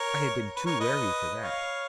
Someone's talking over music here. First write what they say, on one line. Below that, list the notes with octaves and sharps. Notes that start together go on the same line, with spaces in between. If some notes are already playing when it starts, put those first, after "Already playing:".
I had been too wary for that.
Already playing: A#4 C#5
B4
A#4 C#5
B4 D#5
C#5 F5